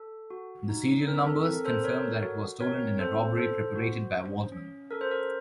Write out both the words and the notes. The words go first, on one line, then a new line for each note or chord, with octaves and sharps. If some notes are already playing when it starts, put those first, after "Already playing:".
The serial numbers confirm that it was stolen in a robbery perpetrated by Waldeman.
Already playing: A4
F#4
D#4
C4 A#4
A4
C4 A#4
A4 C5
A4 A#4 C#5
F#4
C4 A#4 C#5
C4 A4 C5
A4 C5
F#4
C#4
C#4
A4 A#4
C5
A#4